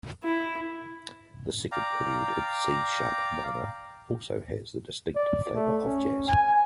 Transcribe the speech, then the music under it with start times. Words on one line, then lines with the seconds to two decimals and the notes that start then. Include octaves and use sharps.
The second Prelude, in C-sharp minor, also has the distinct flavour of jazz.
0.24 E4
1.72 D5 F5 G5 A#5
5.16 D5
5.54 A3
5.84 C#4
6.27 G#5